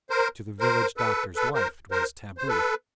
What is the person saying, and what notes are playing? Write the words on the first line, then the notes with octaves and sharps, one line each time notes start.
To the village doctor's wife it was taboo.
A#4 C5
A#4 C5
A4 B4
A4 B4
A#4 C5
A#4 C5
C5
A4 B4